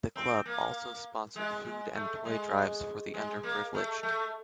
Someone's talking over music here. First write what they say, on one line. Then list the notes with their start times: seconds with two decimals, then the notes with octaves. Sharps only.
The Club also sponsored food and toy drives for the underprivileged.
0.16 C4
0.46 A#3
1.36 G#3
1.65 G#3
1.94 A3
2.25 G#3
3.14 G#3
3.43 A#3
3.74 A3
4.03 A3